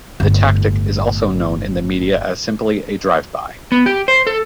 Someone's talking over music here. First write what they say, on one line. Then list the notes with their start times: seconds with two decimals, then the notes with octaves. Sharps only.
The tactic is also known in the media as simply a "drive-by".
0.20 G1 A2
3.72 B3
3.86 G4
4.08 C5
4.27 A4